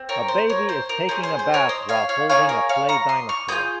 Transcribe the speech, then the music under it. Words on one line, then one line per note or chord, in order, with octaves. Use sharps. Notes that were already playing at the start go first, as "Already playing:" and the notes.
A baby is taking a bath while holding a play dinosaur.
Already playing: C4
A#4 C#5
C5
A#4 C#5
C5
A#4
C#4 G#4 C5
C5
C5
A#4 C#5
C5 D#5
C#5 F5
C#5 F5
A#3 D#4 G#4 C#5 F5
A#4 C#5
C#5 F5
A#5 C#6
C6 D#6
C#6 F6
A#3 F4 G#4 D#6 G6